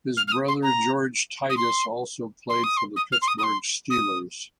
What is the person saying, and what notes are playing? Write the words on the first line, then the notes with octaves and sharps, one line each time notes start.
His brother George Titus also played for the Pittsburgh Steelers.
F6
F6
D#6
C6
A#5
D#6
C6
C6
D#6
C6
D#6
F6
C6
D#6
D#6
C6
D#6